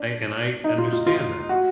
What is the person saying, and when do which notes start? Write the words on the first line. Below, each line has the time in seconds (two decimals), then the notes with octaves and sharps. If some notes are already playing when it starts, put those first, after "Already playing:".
I and I understand that.
Already playing: D4
0.64 D#4
0.78 F4
0.93 F4
1.07 F4
1.49 F#4